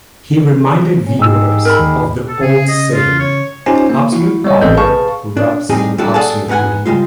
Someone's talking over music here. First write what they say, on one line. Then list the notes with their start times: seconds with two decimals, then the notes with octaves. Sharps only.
He reminded viewers of the old saying "absolute power corrupts absolutely".
1.06 A#2 C#4
1.19 G#2 D#4 G4 G#4 E6
1.65 A#4 B5
1.79 D#2
2.28 A4
2.41 C#3 G#4
2.68 D#5
2.93 F4
3.19 C#5
3.66 C#4 D#4 F4 G4 C5 G#5
3.89 A#3
4.12 E4 F#4
4.44 G3 B3 C#5 D#5
4.61 A1 A3 C4 A4 D#5 G6
4.77 G#4 B4 F5 A5 C#6
5.37 D4
5.69 A2 G3 C4 D#4 G#4
5.98 G3 D4 E4 F#4 A4
6.14 G#4 A4 D5 F#5 G#5 A5
6.48 G#2 B3 F#4 F#5 G#5
6.86 C#3 G3 G#3 F4